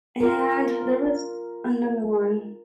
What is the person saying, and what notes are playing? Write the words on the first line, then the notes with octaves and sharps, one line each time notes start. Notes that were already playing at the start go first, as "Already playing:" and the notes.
And there was another one
F4 A#4